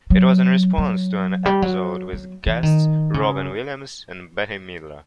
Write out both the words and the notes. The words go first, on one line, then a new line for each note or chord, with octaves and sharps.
It was in response to an episode with guests Robin Williams and Bette Midler.
F#3
F#3
G3
F#3
F#3
E3
D#3
C#3